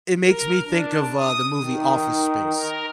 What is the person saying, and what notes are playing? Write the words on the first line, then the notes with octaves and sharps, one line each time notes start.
it makes me think of, uh, the movie Office Space.
A#4
D4
D#6
D#3
A#4